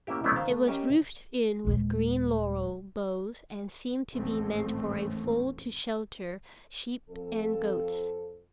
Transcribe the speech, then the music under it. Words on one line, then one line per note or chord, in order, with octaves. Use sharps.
It was roofed in with green laurel boughs and seemed to be meant for a fold to shelter sheep and goats.
A#3 C#4 E4 G4
F#3 A3 B3 C#4 D4 E4
D#3 C5 F5
A3
C#4 G4 A#4 D#5 E5
D#1 G#3
A1 D#2 G#2 A3 C4
F2 A4